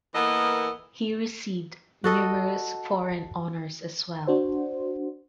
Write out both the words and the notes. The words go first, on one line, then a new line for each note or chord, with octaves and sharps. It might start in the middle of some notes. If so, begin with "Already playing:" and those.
He received numerous foreign honours as well.
E3 A#3 B3 A4 A#4 D#5
F#4 A4 D#5
D4 F#4 C5